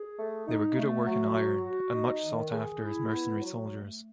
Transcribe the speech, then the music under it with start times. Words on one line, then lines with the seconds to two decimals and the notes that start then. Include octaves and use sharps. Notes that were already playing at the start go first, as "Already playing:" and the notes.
They were good at working iron and much sought after as mercenary soldiers.
Already playing: G#4
0.18 A3
0.46 D#4
0.76 A3
1.05 F#3
1.34 F#4
1.64 F#4
1.93 D#4
2.22 D#3
2.52 G#4
2.80 E4
3.10 B3
3.39 F#3
3.68 A3